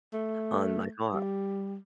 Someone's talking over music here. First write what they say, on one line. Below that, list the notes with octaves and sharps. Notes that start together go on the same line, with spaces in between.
on my car.
A3
G3